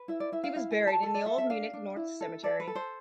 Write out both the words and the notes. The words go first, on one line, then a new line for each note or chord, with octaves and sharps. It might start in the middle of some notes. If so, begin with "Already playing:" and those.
He was buried in the Old Munich North Cemetery.
Already playing: B4
E4 E5
D5
E4 E5
F5
E4 F5
G#5
A4
A5
A4 A5
D5
A4 E5
E5
D4 F5
D4
E4
A4
A4 D5
B4
A4
C5